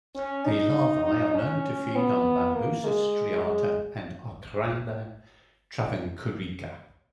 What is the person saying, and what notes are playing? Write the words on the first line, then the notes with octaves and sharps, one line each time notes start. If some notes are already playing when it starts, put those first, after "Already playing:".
The larvae are known to feed on "Bambusa striata" and "Ochlandra travancorica".
C#4
D#4
D#4
C#4
B3
A#3
G#3
G#3